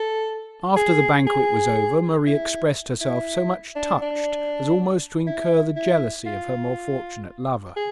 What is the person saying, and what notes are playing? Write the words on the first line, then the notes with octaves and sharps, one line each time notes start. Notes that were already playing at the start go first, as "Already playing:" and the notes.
After the banquet was over Marie expressed herself so much touched as almost to incur the jealousy of her more fortunate lover.
Already playing: A4
G#4
G#4
E4
E4
D4
D4
E4
E4
F4
G#4